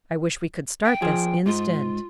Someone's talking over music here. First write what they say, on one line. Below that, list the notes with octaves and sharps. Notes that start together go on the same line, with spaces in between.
"I wish we could start this instant."
G5
F3 G#4
G#2 F4